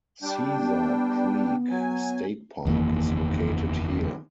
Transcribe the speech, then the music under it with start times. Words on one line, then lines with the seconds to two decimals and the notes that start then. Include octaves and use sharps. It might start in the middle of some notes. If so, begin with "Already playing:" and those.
Caesar Creek State Park is located here.
0.22 G3 D4 G5
0.59 B3
1.70 F#3 G#5
2.65 F#1 E2 D#3 A#3